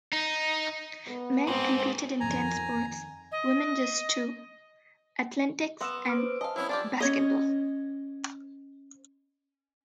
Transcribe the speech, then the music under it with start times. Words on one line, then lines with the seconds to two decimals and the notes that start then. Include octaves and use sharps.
Men competed in ten sports, women just two; athletics and basketball.
0.12 D#4
1.08 B3
1.47 G#2 C4
2.20 F2 D#3 G#5 A#5
3.32 D#5
5.81 B3 F#5 C6 E6 A#6 E7
6.06 B4 D6 F6 D7
6.17 C5
6.41 D#5 F5 G#5 A5
6.56 F#3 B3 C#4 E4
6.69 D4 F4 G4 D5
7.00 C#4 C#5 D#5